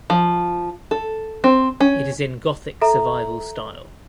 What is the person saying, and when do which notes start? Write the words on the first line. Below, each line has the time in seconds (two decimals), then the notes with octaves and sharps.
It is in Gothic survival style.
0.10 F3
0.91 A4
1.44 C4
1.80 C#4
2.81 A4 E5 A#5